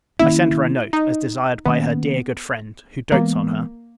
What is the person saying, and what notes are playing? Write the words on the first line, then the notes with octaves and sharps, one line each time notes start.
I send her a note; as desired by her dear good friend, who doats on her.
D#3 A#3 C#4 E4
D#4
D#3 A#3 B3 C#4
E3 G#3 A#3 B3